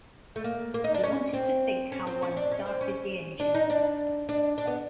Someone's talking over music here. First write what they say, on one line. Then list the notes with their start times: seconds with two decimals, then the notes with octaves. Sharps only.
He wanted to think how one started the engine.
0.36 A3
0.44 A#3
0.74 A#3
0.84 D#4
0.94 D4
1.03 C#4
1.34 C4
1.92 C#4
2.07 C4
2.22 C#4
2.36 D4
2.51 C#4
2.66 C4
2.81 C#4
3.40 D4
3.55 D#4
3.70 D4
4.29 D4
4.58 D4
4.67 B3